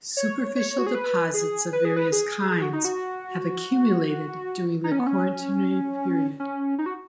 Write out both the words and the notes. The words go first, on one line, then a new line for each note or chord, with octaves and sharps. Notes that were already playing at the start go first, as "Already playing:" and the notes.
Superficial deposits of various kinds have accumulated during the Quaternary period.
C#5
C#5
F#4
G#4
B4
G#4
B4
G#4
B4
G#4
G#4
F#4
D#4
F#4
D#4
C#4
B3
C#4
C#4
D#4
F#4